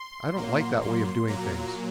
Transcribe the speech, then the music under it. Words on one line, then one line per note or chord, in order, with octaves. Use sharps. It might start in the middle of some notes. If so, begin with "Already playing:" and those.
I don't like that way of doing things.
Already playing: C6
A#2 F#3 A#3
C6
A#2 F#3 A#3 A#5